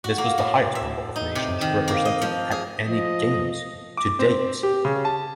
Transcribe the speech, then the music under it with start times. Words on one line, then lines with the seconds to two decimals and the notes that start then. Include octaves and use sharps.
This was the highest number of nations represented at any Games to date.
0.04 F#4
0.18 A#3
0.38 A2
0.75 E5
1.16 D#4
1.35 C3
1.61 D#3
1.88 A#3
2.05 D#5
2.22 F3
2.51 G#4
2.88 F3 D#5
3.97 D6
4.19 C4
4.63 G4
4.85 C#3
5.05 A5